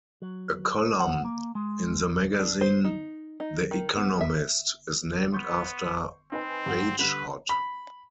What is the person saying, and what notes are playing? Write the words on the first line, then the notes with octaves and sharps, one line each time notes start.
A column in the magazine "The Economist" is named after Bagehot.
F#3
F#5
A#3
G#3
D4
C5
D#4
D#4
D#3
B3
E5
B3 C6 C#6 G6
C4 D#4 B4 G#5
G2 F#5 F#7
D3 G3 B4
B5